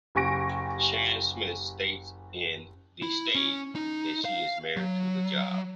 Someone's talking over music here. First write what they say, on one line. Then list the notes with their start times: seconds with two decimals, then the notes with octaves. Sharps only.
Sheridan Smith states in "The Stage" that she is married to the job.
0.15 F#1 G4 G#5 C#6 A#6 D7
3.02 E4
3.35 C#4
3.75 D#4
4.25 F5
4.77 F#3